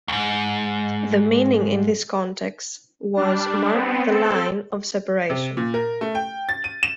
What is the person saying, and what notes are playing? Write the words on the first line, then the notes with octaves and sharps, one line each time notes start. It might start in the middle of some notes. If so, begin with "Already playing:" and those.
The meaning in this context was "marked the line" of separation.
D2 G#2
G3 D4
B3 C4
C4 A4
C3
A#2
A#4
A3
G5
A6
D#7
E7